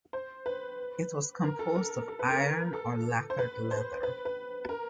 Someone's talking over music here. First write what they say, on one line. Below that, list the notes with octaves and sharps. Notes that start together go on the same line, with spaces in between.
It was composed of iron or lacquered leather.
C5
B4
A#4
A4
A#4
A4
B4
A#4
A4
C5
B4
C5
B4
B4
A#4